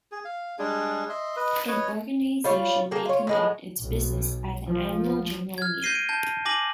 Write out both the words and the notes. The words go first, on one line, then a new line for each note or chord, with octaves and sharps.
An organization may conduct its business at the annual general meeting.
G#4
F5
G3 G#3 D4 G#4
D#5 E5 C6
B4 D#5
B4 C#5 D#5
G3 F4 C#5
A#3 G#4 A4 G5
F4 C#5
A2 G#3 B3
B1
F3
F6 G#6
G6 A#6 C7 D#7 G7
D7
A5 G6
G#5 D6 A#6 F#7